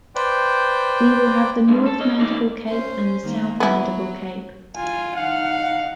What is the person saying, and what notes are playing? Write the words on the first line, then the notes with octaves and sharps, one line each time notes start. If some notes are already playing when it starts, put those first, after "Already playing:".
We will have the North-Mandible cape and the South-Mandible cape.
B4 C5 D5 G5
C#2 G2 B2 D3 G#3
A4
C#4 D#5
E3 A3 A#3 D#4 D5
C#4 C5
D#3 A#3
F#3 B3 E4
F4 G#5
D#4 F5 F#5